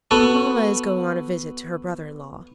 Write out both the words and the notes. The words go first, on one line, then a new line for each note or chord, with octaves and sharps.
"Mamma is going on a visit to her brother-in-law."
B3 F#4 A4